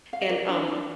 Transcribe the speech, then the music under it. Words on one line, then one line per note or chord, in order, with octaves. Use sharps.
and, um
F5
D#5
A#4 D5
D4
D4 D5